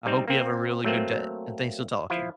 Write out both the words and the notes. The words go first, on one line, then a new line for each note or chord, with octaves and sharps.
I hope you have a really good day, and thanks for talking.
G3 C4 D#4
A#3 C4
F#3 A3 A#3 C4
F3 E4 F4